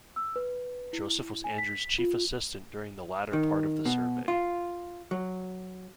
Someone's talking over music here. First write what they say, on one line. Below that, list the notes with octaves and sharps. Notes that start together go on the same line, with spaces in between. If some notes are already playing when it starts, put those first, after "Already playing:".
Joseph was Andrew's chief assistant during the latter part of the survey.
E6
B4
E4
G#5
B6
F4
D#3
B2
F4
F#3